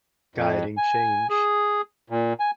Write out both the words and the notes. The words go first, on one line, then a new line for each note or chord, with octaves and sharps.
guiding change,
F2
G#5
G#4
A#2
G#5